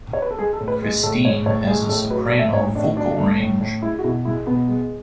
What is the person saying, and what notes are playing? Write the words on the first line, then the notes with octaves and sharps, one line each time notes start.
Kristine has a soprano vocal range.
C#5
B4
A4
G#3 G#4
A4
A2
B4
G#3 G#4
A2 A4
G#3 C#5
A2 C#5
G#3 G#4
A2 A4
F#3 B4
D5
A3
E5
A2 C#5
A2 D4
F#3 D4
A3
A2
A2
G#3 E4
F#4
B2 E4
G#3 E4
B2 B3
G#3